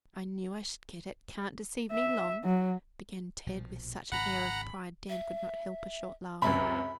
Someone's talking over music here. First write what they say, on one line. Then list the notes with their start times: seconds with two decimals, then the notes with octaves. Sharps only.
'I knew I should get it; can't deceive me long,' began Ted, with such an air of pride Dan could not help a short laugh.
1.92 E5
2.44 F#3
3.47 A#1 B2 F3
4.12 G#1 G#2 C#3 F#5 A#5 B5
5.09 E5
6.42 C#2 F#2 C3 E5 B5